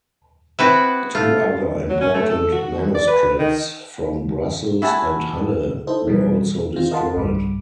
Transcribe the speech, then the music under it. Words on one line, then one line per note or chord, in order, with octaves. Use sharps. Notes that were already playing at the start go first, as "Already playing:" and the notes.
Two other important manuscripts, from Brussels and Halle, were also destroyed.
B3 C4 E4 F#4 B4 E5
A3 F4
F#3
C#4
A3
A4
F#4
D5
B4
D#3
E4 F#4 G#5 A5
D#4 E4 A4 C5 D#5
B2 E3 F3 G3
D#3 C4 F4
A#4 D#5 F5 F#5 A5 C6
B1 G2 G3